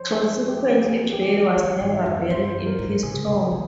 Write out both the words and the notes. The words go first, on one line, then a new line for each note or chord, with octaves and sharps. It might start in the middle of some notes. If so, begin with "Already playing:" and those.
Consequently, Bay was never buried in his tomb.
Already playing: F3 C5 C#5
G#4
G4
G#4
G4
G#4
E3 C#5
G#2
E5
F2
G2 C5
A#4
G#2
C#3 G#4
C#3
E3